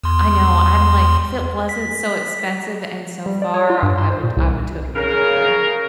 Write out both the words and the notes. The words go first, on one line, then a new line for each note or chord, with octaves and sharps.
I know, I'm like, "If it wasn't so expensive and so far, I would I would totally go there."
E2 C6
B6
G3
D5
C#5
F4
G2
C6
C5
A#2
C2
C#3 A#4